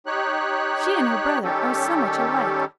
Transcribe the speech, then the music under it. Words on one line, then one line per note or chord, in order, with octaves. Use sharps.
She and her brother are so much alike!
D#4 G4 C#5 F#6
D#3 G3 C#4 G4 A4